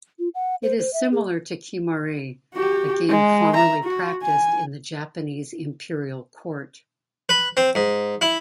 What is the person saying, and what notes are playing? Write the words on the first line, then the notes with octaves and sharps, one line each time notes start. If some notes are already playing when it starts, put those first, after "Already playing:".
It is similar to Kemari, a game formerly practiced in the Japanese imperial court.
F4
F#5
C5
C5
E5
G#4
F#4 G4
G#3
E5 A#5
F#4
G#5
B4
C4
G#2
E4